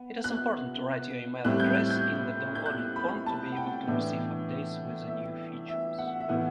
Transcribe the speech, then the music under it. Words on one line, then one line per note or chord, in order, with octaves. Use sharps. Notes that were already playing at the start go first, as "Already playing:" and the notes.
It is important to write your email address in the downloading form to be able to receives updates with the new features.
Already playing: B3
F#6
A2 G3 C4 F#6
G6
F#6
G6
G6
F#6
B5
A5
F#5
G5
A2 E3 B3 D4
E5
E5
F#5
E5
A2 E3 B3 F#5